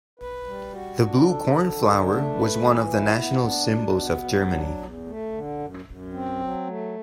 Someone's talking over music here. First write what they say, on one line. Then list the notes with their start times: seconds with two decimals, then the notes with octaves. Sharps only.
The blue cornflower was one of the national symbols of Germany.
0.19 B4
0.46 G3
0.73 F#4
1.00 D4
1.27 A4
1.54 D3
1.81 D4
2.08 A3
2.35 B4
2.62 E3
2.89 E4
3.16 B3
3.43 D4
3.70 B2
3.96 B3
4.24 F#3
4.51 D4
4.77 E2
5.05 A3
5.32 D3
5.59 F#2
5.86 F#2
6.12 C4
6.40 F#3
6.67 A3